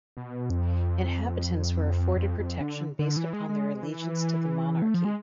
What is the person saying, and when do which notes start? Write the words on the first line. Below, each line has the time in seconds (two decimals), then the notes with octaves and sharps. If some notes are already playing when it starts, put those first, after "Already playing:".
Inhabitants were afforded protection based upon their allegiance to the monarchy.
0.17 B2
0.50 F2
2.16 F2
2.39 F2
2.61 D3
2.99 D3
3.17 E3
3.33 G#3
3.49 G#3
3.83 E3
4.82 A3
4.94 F3
5.05 G#3